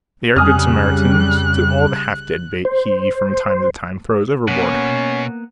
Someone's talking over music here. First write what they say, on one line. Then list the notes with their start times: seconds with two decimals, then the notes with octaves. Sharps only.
They are good Samaritans to all the half-dead bait he from time to time throws overboard.
0.36 F2 C#3 G3 G#5 D#6 F6 F#6
2.65 C5
4.48 B2 A#3 B3 C#4 F#5